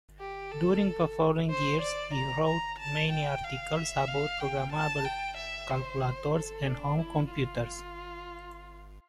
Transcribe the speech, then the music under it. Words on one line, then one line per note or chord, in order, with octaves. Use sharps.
During the following years he wrote many articles about programmable calculators and home computers.
G4
A4
C5
D5
A#5
A#5
A5
G5
F5
E5
F5
G5
A5
G5
E5
C5
A4
D4
E4
F4